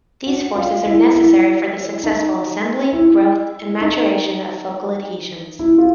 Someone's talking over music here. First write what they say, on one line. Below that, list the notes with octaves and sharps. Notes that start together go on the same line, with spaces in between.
These forces are necessary for the successful assembly, growth, and maturation of focal adhesions.
F#4
F4
E4
E4
D#4
E4
D#4
E4
F4